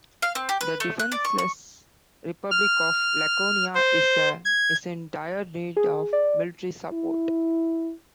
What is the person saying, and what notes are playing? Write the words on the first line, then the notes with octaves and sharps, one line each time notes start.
The defenseless Republic of Laconia is in dire need of military support.
F5
C4
G4
B4
A3
F#6
D5
C#6
C#6
F6
C5
G#6
G#4
D5
E4